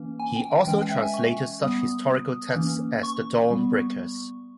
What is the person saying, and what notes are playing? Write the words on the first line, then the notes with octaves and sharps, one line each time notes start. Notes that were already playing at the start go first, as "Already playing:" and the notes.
He also translated such historical texts as "The Dawn-breakers".
Already playing: E3 A#3 C#4
G#5
G5
G5
E3 G#3 C#4 G5
G5
E5
G#5
C#6
G3 B3 D#6
E3 A#3 C#4
C#6
G3 B3